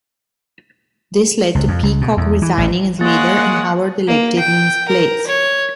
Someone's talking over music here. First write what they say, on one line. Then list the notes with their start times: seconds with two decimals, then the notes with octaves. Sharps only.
This led to Peacock resigning as leader and Howard elected in his place.
1.55 C#2
1.68 F2
1.83 C#2
2.01 B2
2.17 E2
2.42 E3
2.58 A1
3.01 G#3 A#3 C#5 F#5 A6
4.07 A#3
4.39 G5
4.88 A#4
5.27 C#5